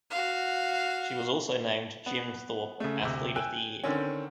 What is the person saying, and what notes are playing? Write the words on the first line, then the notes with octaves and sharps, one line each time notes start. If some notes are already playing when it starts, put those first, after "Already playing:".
She was also named Jim Thorpe Athlete of the Year.
F#4 F5
B3
C#3 A3
D2 C3
G5 G#5 E6 F#6
D3 D#3 C4 C#4